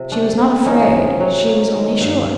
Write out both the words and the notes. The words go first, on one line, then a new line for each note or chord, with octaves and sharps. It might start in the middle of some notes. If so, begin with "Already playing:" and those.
She was not afraid; she was only sure.
Already playing: C3 F3
A3 D4
C3
E3 C#4 D#4
C3
F#3
A#3
D#3
G2